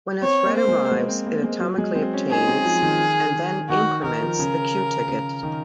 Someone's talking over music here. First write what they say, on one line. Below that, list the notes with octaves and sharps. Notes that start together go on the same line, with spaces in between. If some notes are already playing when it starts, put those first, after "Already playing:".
When a thread arrives, it atomically obtains and then increments the queue ticket.
C4 C#5
A#3
C5
G#3
G#3
C4
A#3
G#3
F#3
G#3
C4
C#4
D#4 G#4
C4
F3
D#3
D#3 F#4
D#3 A#4
F3
C#3
C#3
D#3